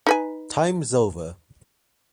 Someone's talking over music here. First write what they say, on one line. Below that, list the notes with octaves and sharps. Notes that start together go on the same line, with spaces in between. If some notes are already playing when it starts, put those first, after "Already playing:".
Time's over!
D#4 B4 G#5